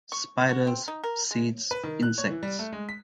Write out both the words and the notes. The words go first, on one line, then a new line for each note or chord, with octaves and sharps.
Spiders, seeds, insects.
C#6
F#4
C4
D#4
A#4
G#3
B4
D#3
F#6
C#5
E3
G3
A3
G#3
B6